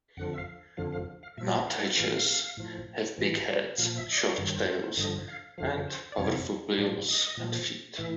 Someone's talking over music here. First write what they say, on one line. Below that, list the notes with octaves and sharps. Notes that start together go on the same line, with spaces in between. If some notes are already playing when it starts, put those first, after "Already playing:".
Nuthatches have big heads, short tails, and powerful bills and feet.
F2 D3 F3 F#5
E5
F5
F2 D3 F3 F5
F5
F5
A#2 F3 E5
D5
D#5
F5
E5
A2 E3 F5
A2 F3
A2 E3
A#2 F3 F5
E5
D#5
D5
D5
G2 D#3 C#5
C#5
C5
C5
C5
G2 D3 F3 D#5
F5
F2 D3 F3 F5
C5
D5
F2 C3 F3 C#5
A2 F3 D5
D#5
A#2 F3
A2 E3 E5